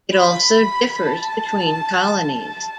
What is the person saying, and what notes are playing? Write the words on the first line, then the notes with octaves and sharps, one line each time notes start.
It also differs between colonies.
B5
A5
A5